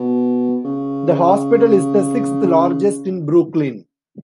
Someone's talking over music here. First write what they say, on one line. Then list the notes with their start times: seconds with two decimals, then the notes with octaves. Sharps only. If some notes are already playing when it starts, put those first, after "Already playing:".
The hospital is the sixth largest in Brooklyn.
Already playing: B2
0.65 C#3